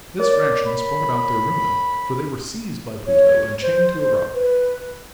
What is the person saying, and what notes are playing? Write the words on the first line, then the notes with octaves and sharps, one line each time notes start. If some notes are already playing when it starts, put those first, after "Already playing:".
This rashness brought about their ruin, for they were seized by Pluto and chained to a rock.
A#4 C#5 D5
B5
C#5
C5
B4